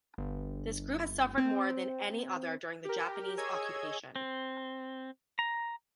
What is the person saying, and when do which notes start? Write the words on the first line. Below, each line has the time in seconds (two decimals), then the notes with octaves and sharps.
This group has suffered more than any other during the Japanese occupation.
0.18 G1
1.38 C4
2.85 G4 A#4
3.38 G#4 C#5 D#5 G#5 E6 G#6
4.16 C4
5.39 A#5